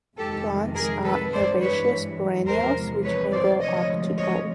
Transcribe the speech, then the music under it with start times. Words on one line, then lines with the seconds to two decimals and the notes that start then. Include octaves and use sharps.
Plants are herbaceous perennials which may grow up to tall.
0.18 F2 C3 D#3 G#3 G4 A4
0.75 G#4 A#4
1.04 A4 B4
1.33 G2 E3 G#3 C5 D5
1.61 B4 C#5
2.47 E2 C3 F3 G#3 A#4 C5
3.04 B4 C#5
3.33 C5 D5
3.61 D2 C3 F3 G#3 C#5 D#5
4.18 C#5 D#5